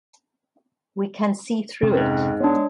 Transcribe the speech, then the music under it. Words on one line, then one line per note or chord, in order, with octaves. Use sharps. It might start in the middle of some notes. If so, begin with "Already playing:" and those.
We can see through it.
F2 C3 C#4
G#2
G#3 B3 D4 C#5